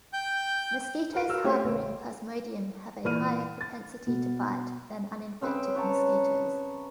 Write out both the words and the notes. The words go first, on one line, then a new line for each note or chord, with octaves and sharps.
Mosquitoes harboring "Plasmodium" have a higher propensity to bite than uninfected mosquitoes.
G5 G6
A#4 B4 D7
F#4 A#4 F5 E6 F6
A3 C#4 G4 C5 C#5 E5
A1 C#3 A3
A#2 E3 B4 D5 F6 D#7
A6
B2 B3
C#3 C4 B4
B4 C#5 A5 A#5